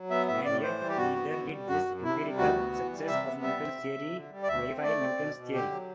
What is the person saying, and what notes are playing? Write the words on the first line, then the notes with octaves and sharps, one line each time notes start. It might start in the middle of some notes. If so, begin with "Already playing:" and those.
And yet neither did this empirical success of Newton's theory verify Newton's theory.
Already playing: F#3
B3 E5
A2 E5
A2 D5
E3 C5
G3
G4
G2 F#4
B3
D3
G3
F#2 F#4
F#2
C3 E4
G3
D2 F#4
B3
E3
G3
C3 E5
B3
G3 E5
C4
C3
C3
D3
G3
D5
D2 E5
C4
A3 D5
C4
B2
B2
D3 G4
F#3